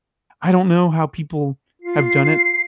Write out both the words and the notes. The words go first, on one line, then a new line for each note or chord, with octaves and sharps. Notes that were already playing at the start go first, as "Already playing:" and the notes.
I don't know how people have done it.
F4 C7